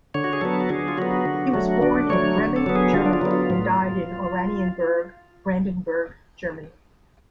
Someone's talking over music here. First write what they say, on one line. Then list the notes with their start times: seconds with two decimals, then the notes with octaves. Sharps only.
He was born in Bremen, Germany and died in Oranienburg, Brandenburg, Germany.
0.14 D3 C#5
0.24 F#4
0.33 G#4
0.41 F#3 B3 A4
0.60 F#4
0.69 D3 G#4
0.88 F4
0.98 F#3 B3 F#4
1.26 D3
1.54 F#3 A3
1.81 D3 D4
2.10 F#3 A3 C#5
2.38 D3
2.56 A4
2.66 F#3 B3
2.75 G#4
2.93 D3 F4
3.06 D4
3.13 F4
3.21 F#3 B3
3.31 F4
3.50 A2